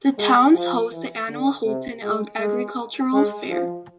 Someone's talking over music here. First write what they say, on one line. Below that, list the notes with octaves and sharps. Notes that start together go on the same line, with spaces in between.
The town hosts the annual Houlton Agricultural Fair.
G#3
F3
E3
D3
C3
G#3
G#3
G#3
F3